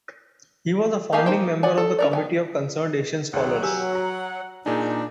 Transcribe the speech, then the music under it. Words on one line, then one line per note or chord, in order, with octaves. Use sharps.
He was a founding member of the Committee of Concerned Asian Scholars.
A#3 D#4 G4 F5 G#5
A#3 D#4 C5 G5
D5 F#5 G#5
A4
C#4 A#4 D5
B3 G5 G#5
C#2 D#3 F#3 F#5
G4 G#5 E6
F#4 A#5
A#2 D4 D#4 G#4